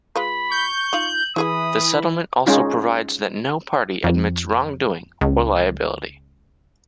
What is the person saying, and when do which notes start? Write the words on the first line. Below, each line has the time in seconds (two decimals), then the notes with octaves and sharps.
The settlement also provides that no party admits wrongdoing or liability.
0.16 G#3 F4 B4 B5
0.52 C#6 G6
0.93 D#4 F4 F5 F#7
1.36 E3 E4 G#4 G#5 B5 D#6
2.46 G#3 C#4 D#4 F4
4.04 F2
5.21 C#2